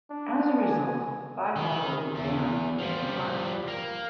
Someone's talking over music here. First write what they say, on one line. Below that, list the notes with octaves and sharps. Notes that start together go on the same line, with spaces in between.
As a result, five models were banned from taking part.
D4
G#5
D#3
E2
F3 G3
A#3